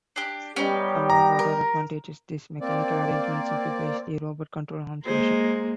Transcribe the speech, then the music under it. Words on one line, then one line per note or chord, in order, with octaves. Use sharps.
Among other advantages, this mechanical arrangement simplifies the Robot control arm solution.
D4 G4
G3 B3 C#4 D#4 G4
A#5
A#4
A#3 C4 D5
G#3 A#3 C5